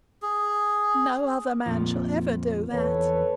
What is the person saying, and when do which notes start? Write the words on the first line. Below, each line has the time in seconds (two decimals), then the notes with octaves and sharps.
"No other man shall ever do that."
0.22 G#4
1.66 F2 A#2 F3
2.73 E2 A4 B4 C#5